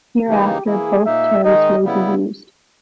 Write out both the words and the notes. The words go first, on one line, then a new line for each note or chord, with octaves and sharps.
Hereafter, both terms may be used.
C#3 E3 A#3 D#4 G4
E3 A#3 E4 G#4
A#2 A#3 D#4 E5
D#3 G#3 D#4 D#5
C#3 G3 B3 E4